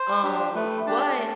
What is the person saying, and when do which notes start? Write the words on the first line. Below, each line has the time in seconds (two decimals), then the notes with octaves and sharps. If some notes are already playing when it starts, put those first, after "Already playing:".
um, but
Already playing: C5
0.23 D4 G4
0.55 A3 B4
0.87 D4 G4 A5
1.17 A3